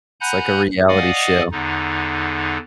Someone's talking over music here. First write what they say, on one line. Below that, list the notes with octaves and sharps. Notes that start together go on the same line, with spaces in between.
It's like a reality show,
F#5 G#5 A#5 B5 F#6 G6
D5 D#5 F5 F#5 G#5 D#6
E2 D3 D#4